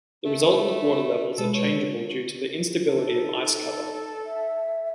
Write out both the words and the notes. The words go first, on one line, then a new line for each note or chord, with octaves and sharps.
The resultant water levels are changeable due to the instability of ice cover.
A3
B2 G#3 A4 B4
C#5
D#4 A4
E5